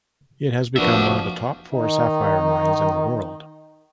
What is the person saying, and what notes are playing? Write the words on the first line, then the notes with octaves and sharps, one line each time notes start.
It has become one of the top four sapphire mines in the world.
F1 F3 A#3 B3 D4 F#4 D5 E5
D#3 D#4